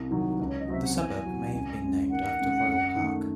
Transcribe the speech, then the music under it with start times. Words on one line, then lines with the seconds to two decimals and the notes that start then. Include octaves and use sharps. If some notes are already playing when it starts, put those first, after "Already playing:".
The suburb may have been named after Royal Park.
Already playing: C2
0.11 C3 D#3 F#3
0.40 C#2
0.48 C#5
0.60 D#5
0.68 C3 F#3 C4 F#4 E5
0.84 F#5
0.96 E2 G#5
1.25 C3 F#3
1.53 C#2
1.82 C#3 G#3 C#4
2.10 D#2 F#5
2.39 C#3 G#3
2.68 F#2
2.96 D#3 A3